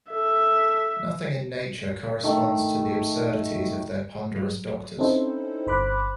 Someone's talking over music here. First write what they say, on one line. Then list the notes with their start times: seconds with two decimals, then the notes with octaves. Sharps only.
Nothing in nature corresponds to the absurdities of their ponderous doctors.
0.12 A4 E5
2.24 D#3 A3
4.36 F#3
4.99 C4 C#4 D#4 E4 A4 C5
5.67 G1 C5 B5 D6 F#6